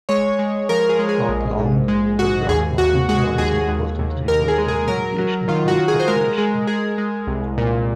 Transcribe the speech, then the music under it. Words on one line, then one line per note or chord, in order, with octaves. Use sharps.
About long, the Brahmaputra is an important river for irrigation and transportation.
G#3 C#5
G#3
F3 A#4
G#4
G#3
G#4
A#1
G#2
G#3
G#2 F#4
D#2 G#4
D#2 F#4
G#3 F#4
D#2 G#4
D#2
D#2
D#2 A#4
G#4
G#3
G#4
F#3 A#4
F#3
D#3 F4
F#4
D#3
G#4
C5
G#3 A#4
G#3
G#3 G#4
G#3
C2
A#2